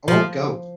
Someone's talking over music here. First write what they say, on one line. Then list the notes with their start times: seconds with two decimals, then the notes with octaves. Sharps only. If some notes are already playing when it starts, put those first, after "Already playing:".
I won't go!
0.08 F3